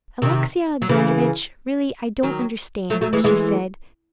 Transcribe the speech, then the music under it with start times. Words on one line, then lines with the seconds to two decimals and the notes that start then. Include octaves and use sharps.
"Alexey Alexandrovitch, really I don't understand," she said.
0.22 C3 D#3
0.82 F#3
0.89 C#3 E3
2.23 D#3 F#3
2.90 F#3 A3
3.01 F#3 A3
3.13 E3 G#3
3.24 E3 G#3